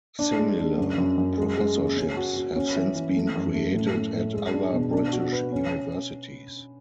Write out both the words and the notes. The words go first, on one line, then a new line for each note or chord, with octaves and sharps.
Similar professorships have since been created at other British universities.
D4
G#3
D4
F#2
F#2
F#2
G#3
G#3
C#3
C#4
F#4
F#4
C#4
E3
E3
A3
F#2
A3
A2
A3
A2
G#3
D4
B2
D4
F#4
B4
C#4